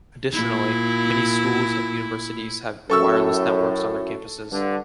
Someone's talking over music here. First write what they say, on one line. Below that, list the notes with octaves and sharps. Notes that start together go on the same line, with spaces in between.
Additionally, many schools and universities have wireless networks on their campuses.
A#2 E4
F#2 A2 A4 C#6 E6
G2 D3